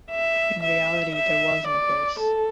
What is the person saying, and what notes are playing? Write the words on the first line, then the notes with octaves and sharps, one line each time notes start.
In reality there was no curse.
E5
E5
E5
D5
A4